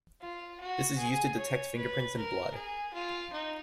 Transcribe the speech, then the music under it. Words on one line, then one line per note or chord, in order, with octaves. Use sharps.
This is used to detect fingerprints in blood.
F4
F#4
G#4
C#5
B4
A#4
G#4
F4
D#4